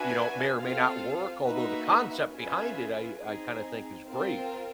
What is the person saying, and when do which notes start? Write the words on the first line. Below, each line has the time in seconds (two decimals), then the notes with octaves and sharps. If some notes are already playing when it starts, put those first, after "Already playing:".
you know, may or may not work, although the concept behind it, I I kinda think is great.
Already playing: D4 F#4 B4 E5 G#5
0.58 C4 F4 A4 C5 F5
1.45 A#3 D#4 F#4 B4 E5
2.31 C#4 F4 G#4 B4 E5
3.18 C4 D#4 G#4
4.05 C4 F4 A#4